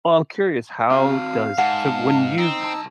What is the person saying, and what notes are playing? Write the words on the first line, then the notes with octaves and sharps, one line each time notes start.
Well, I'm curious, how does so when you
C4 F#4 F5
G#2 F#5 A5
C4 D#4 E6
C2 A5